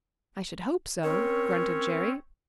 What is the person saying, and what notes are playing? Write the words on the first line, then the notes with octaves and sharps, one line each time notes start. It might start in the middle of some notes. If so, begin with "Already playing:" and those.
"I should hope so," grunted Jerry.
C4 C#4 A#4 C#5